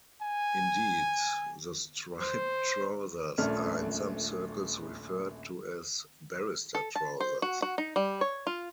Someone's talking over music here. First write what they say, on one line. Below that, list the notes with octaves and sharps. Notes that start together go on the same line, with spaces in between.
Indeed, the striped trousers are in some circles referred to as "barrister trousers".
G#5
C5
D#1 A#1 A3 C#4 D5 F6
A4
A5
C5
F#4
F#4
D#4
G3
C#5
F4